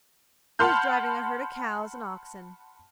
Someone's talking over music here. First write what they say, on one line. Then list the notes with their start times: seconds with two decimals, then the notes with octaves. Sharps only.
He was driving a herd of cows and oxen.
0.59 F#5 A5 B5 C6 F6 G6